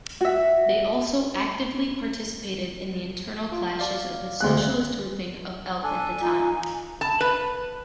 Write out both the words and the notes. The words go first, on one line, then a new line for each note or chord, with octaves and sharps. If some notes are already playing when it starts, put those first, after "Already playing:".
They also actively participated in the internal clashes of the Socialist Grouping of Elche at that time.
F#4 E5
F4
F#4 D5 F5
D2 G#3 F#6
D4 A4 G#5
D#4 F4
A5
B4